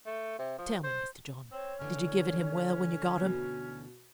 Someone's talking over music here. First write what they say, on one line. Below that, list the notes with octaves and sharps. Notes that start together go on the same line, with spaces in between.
Tell me, Mr. John, did you give it him well when you got him?
A3
C3
F3
C5
C4 C#5
D2 D3 E3 C#4
B2